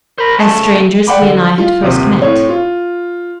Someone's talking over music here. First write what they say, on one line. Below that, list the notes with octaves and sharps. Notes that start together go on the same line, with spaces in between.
As strangers he and I had first met.
A#4 C5 B5
C#3 A3 A5
D5 F#5 G5 B5 D6
D3
F4
D#1 C3 C5
A2 C4 C#5
F4